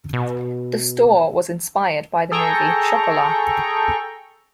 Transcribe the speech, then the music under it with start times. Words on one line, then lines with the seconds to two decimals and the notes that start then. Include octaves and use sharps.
The store was inspired by the movie "Chocolat".
0.13 B2
2.32 G#4 A4 G5 A#5 C#6